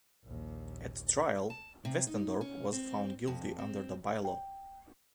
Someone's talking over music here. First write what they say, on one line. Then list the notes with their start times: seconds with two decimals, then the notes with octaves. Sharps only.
At trial, Westendorp was found guilty under the by-law.
0.23 A#1 D#2
1.50 A5
1.85 C3
2.07 D#4
2.41 C#4
2.72 C4
3.28 F2
3.58 C4
4.25 G5